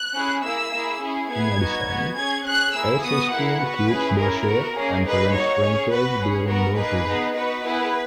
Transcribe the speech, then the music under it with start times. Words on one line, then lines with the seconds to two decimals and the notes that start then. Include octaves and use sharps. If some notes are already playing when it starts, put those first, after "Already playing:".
In addition, L-cysteine keeps dough shape and prevents shrinkage during dough freezing.
Already playing: F#6
0.14 C#4 E4 G#4
0.43 A#3 E4 G#4 E6
0.72 A#3 E4 G#4
1.01 C#4 E4 G#4
1.29 B3 E4 G#4 G#6
1.58 B3 D#4 F#4
1.87 B3 F#4
2.15 C#4 G#4 G#6
2.44 C#4 G#4 F#6
2.73 A#3 E4 G#4 E6
3.02 B3 F#4 D#6
3.30 A#3 E4 G#4 F#5
3.59 B3 F#4 B4
3.88 C#4 E4 G#4
4.17 C#4 E4 G#4 A#4
4.46 B3 F#4
4.74 A#3 C#4 G#4
5.03 A#3 D#4 G#4 B4
5.32 A#3 D#4 F#4 C#5
5.61 C#4 G#4
5.89 B3 F#4 B4
6.19 C#4 G#4
6.47 B3 F#4 A#4
6.76 A#3 D#4 G#4 B4
7.05 B3 D#4 G#4
7.34 B3 D#4 F#4 B4
7.62 B3 E4 G#4